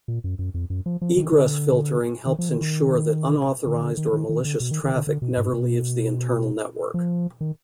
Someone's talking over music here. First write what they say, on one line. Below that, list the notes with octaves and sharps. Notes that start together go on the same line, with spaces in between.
Egress filtering helps ensure that unauthorized or malicious traffic never leaves the internal network.
A#2
F#2
F#2
F2
F#2
F3
F3
D#3
D3
D#3
F3
D#3
D#3
D3
D#3
D3
D#3
D#3
D#3
D3
B2
D#3
D#3
D3
D3
B2
G#2
B2
F3
D#3